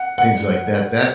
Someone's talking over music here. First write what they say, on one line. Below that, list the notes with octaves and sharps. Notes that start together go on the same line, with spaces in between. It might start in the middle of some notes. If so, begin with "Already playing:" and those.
things like that, that
Already playing: F#5
F#5